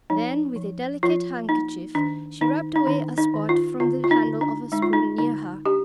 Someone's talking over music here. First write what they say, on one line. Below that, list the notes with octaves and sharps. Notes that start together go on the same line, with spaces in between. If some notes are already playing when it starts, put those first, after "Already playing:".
Then with a delicate handkerchief she rubbed away a spot from the handle of a spoon near her.
F3 D#4
F3
F3 F4
A#3 D#4
D#3 D4
D#3 D#4
D#4
D#3 D4
D#4
D#3
F4
D3 F4
F4
D#4
D3
D4
G#3 D#4
F4
D#4
D3 D#4
D4 G4